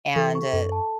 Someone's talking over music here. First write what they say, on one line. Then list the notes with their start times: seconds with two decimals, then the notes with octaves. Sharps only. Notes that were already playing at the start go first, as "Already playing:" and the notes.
and, uh,
0.16 E3 A4
0.35 C#6
0.53 F#2 A4
0.72 A5